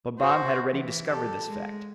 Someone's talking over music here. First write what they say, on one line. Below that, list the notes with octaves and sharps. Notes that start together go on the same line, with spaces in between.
But Bob had already discovered this fact.
F#4 C5
E3
G4 A4
G#3